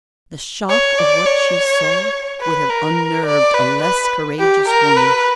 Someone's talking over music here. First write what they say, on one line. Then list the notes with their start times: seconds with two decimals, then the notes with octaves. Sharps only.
The shock of what she saw would have unnerved a less courageous woman.
0.69 C#5
0.98 D5
1.26 C#5
2.41 B4
2.69 A#4
3.26 D5
3.54 B4
3.82 B4
4.39 G4
4.68 A#4
4.96 B4